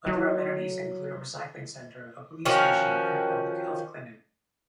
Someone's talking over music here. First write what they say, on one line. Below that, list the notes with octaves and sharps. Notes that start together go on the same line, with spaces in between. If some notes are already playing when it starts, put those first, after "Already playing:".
Other amenities include a recycling centre, a police station, and a public health clinic.
F#3
D#3 F3 C#4 F#4